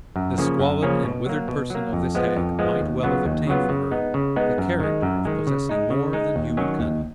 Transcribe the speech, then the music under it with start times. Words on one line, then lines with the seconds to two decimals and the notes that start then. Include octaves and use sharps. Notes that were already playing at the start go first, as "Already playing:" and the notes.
The squalid and withered person of this hag might well have obtained for her the character of possessing more than human cunning.
0.16 F#2
0.38 C#3 F3 A#3 C#4
0.59 F#2
0.82 C#3 F3 A#3 C#4
1.05 B2
1.26 F#3 A#3
1.48 B2
1.70 F#3 A#3
1.93 F2
2.15 F3 G#3 B3
2.37 F2
2.59 F3 G#3 B3
2.81 D#2
3.03 C#3 F#3 B3 F4
3.25 D#2
3.47 C#3 F#3 B3 F4
3.69 C#3
3.91 G#3 B3 D#4
4.14 C#3
4.36 G#3 B3 D#4
4.58 F#2
4.80 D#3 G#3
5.02 F#2
5.25 D#3 G#3
5.47 C#3
5.69 G#3 D#4
5.90 C#3
6.13 G#3 D#4
6.36 D#2
6.57 D#3 F#3 C#4
6.79 D#2